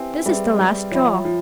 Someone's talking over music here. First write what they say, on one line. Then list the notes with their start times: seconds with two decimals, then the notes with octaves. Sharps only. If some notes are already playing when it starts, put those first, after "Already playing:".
This is the last straw.
Already playing: C4 E4 G4 B4 E5 G#5
0.25 G3 G#4 B4 E5
0.59 G3
0.92 F3 C#5 E5 G5 B5
1.25 F3